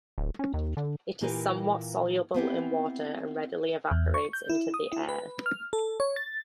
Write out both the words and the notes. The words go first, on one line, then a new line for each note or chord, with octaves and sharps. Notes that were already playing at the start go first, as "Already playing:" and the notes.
It is somewhat soluble in water and readily evaporates into the air.
D1
C#4
D#2
D3
A#2 E3 A#3 G4 A#4 B4
B3 C4 E4 G4
E2
C#6
G6
E4
D#6
E4
B4
F6
A4
C#5
A6